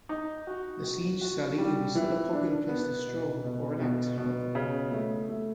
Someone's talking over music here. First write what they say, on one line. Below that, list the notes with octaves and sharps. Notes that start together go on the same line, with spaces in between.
The Siegesallee was still a popular place to stroll or relax, however.
D#4
F#4
F#4
F#4
G3
E3
D4
B3
B2
B2
B2
B2
C#3
A3
A3